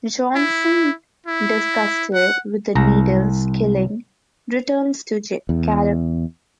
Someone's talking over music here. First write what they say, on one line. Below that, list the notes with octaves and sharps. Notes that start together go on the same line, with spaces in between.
Johnson, disgusted with the needless killing, returns to Caleb.
E4
E4
F#5
C2 A#5
E2